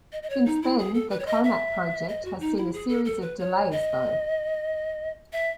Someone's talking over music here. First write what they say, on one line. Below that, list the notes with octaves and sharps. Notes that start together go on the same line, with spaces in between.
Since then, the Comac project has seen a series of delays, though.
D#5
D#5
C#5
D#4
E4
G#4
A4
B4
C#5
D#5
E5
D#5
F#4
D#4
E4
G#4
A4
A4
B4
C#5
D#5
E5